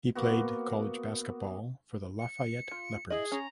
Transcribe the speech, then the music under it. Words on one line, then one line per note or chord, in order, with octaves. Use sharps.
He played college basketball for the Lafayette Leopards.
A#3 B3 F#4
C#7
F4
E4 G#4 D#5 F#7
C#4 A#5